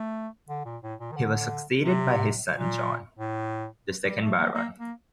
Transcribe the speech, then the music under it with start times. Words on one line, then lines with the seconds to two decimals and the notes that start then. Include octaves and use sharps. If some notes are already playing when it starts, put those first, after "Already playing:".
He was succeeded by his son John, the second Baron.
Already playing: A3
0.49 D3
0.65 A#2
0.82 A2
0.99 A#2
1.11 D#3
1.16 D3
1.84 C3
2.51 A#2
3.19 A2
4.03 G3
4.20 A3
4.37 A#3
4.54 A#3
4.79 A#3